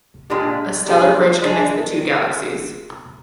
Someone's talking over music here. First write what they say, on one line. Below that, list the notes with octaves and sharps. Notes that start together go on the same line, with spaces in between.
A stellar bridge connects the two galaxies.
A#2 G#3 D4 G4
G3 D4 G#4
G#3 D4 G#4